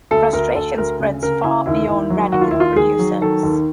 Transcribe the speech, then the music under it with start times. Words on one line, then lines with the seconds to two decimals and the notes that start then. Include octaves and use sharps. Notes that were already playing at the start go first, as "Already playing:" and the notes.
Frustration spreads far beyond radical producers.
0.11 D2 A4
0.33 D2 A#4
0.55 D2 A4
0.78 D2 A#4
1.00 C#3
1.22 C#3 A#4
1.44 C#3 E4
1.66 D#2 E4
1.88 D#2 E4
2.10 F#3
2.32 D#2 F#4
2.41 F4
2.51 D#2 E4
2.60 F4
2.76 D#3 G#4
2.99 F#3
3.21 D#3 A4
3.43 D#2